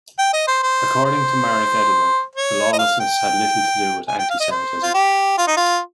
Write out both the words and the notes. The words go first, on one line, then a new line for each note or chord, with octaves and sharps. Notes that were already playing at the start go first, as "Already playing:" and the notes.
According to Marek Edelman the lawlessness had little to do with antisemitism.
G5
D#5
C5
C5
C5
C#5
D#5
F5
G5
G#5
G5
F5
D#5
C5
F4
G4
F4
D#4
F4